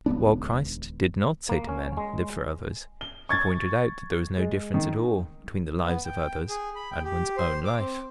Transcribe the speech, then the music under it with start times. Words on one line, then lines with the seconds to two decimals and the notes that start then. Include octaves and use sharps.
But while Christ did not say to men, 'Live for others,' he pointed out that there was no difference at all between the lives of others and one's own life.
0.06 D#1 C#2 B3 D4
1.49 A#3
1.69 C#4
1.97 G#3
3.01 G7
3.29 C#6 G#6 A6
4.37 G#3
4.74 D#3
5.84 B3
6.05 G5
6.49 G#4
6.76 B5
6.91 G5
7.05 G4
7.37 C5
7.65 D6
7.79 C4